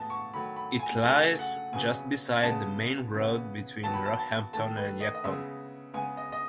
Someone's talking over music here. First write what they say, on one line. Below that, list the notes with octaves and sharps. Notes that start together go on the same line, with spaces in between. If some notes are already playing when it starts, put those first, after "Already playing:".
It lies just beside the main road between Rockhampton and Yeppoon.
Already playing: A2 E3 G#3 B3 A5
C#6
D#3 F#3 A3 B5
B5
G#5
C#3 F#3 A3 G#5
F#5
C#3 F#3 B3 G#5
C#3 G#3 B3 A5
C#3 E3 B3
D#3 F#3 B3 A5
B5
A5
A5
D#3 A3 A5
B4
D#5
D#5
C#3 G#3 B3 E5
C#3 G#3 B3 G#5
D#5
D#5